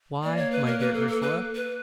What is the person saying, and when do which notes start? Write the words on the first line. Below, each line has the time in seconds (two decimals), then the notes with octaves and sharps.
"Why, my dear Ursula?"
0.23 A#3 D5
0.37 C#5
0.51 B4
0.66 A#4
0.80 B4
0.94 A4
1.08 A4
1.22 B4
1.55 B4